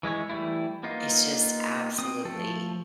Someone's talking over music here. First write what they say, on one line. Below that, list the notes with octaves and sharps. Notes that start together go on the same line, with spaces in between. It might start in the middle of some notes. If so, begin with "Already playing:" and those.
It's just absolutely
E3 G#3 E4 C#5
E3 G3 A3 E4
A#3 B3 D#4 F4
C4 D#6
F3 A3 A4